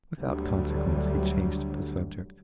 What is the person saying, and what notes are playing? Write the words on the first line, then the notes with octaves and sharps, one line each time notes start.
Without consequence he changed the subject.
D2 D3 F#3 G3